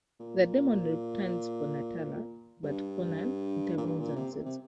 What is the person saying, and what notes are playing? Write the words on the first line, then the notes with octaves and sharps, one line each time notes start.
The demon returns for Natala, but Conan intervenes and saves her.
A#2
G2
A#2
G2
A#2
C3
C3